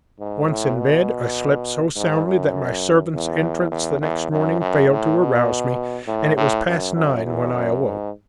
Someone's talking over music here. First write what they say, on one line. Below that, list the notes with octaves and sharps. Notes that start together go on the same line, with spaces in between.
Once in bed, I slept so soundly that my servant's entrance the next morning failed to arouse me, and it was past nine when I awoke.
G#2
A2
B2
G#2
F#2
E2
E2
E2
F#2
F#2
A2
B2
A2
A2
F#2
F#2
E2
F#2
G#2